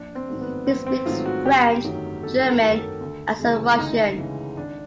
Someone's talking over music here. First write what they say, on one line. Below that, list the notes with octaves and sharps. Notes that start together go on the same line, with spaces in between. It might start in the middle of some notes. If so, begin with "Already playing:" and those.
He speaks French, German and some Russian.
Already playing: A#1 D4
C4
G#2 D#3 F#3 A3
B3
A#1 C4
C4
G#2 D#3 F#3 A3 F4
F#4
G1 G4
F#2 D#3 F#3 A3
G1 A4
A#4
F#2 D#3 F#3 A3
A4
D2
C#3 E3 G#3
D2 D#4
C#3 E3 G#3
G#1 D4